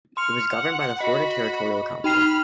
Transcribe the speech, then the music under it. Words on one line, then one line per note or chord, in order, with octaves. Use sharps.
It was governed by the Florida Territorial Council.
C6 F6 C#7
F#5
F#4 D#5 B5
D#4 G5 B5 F6 C7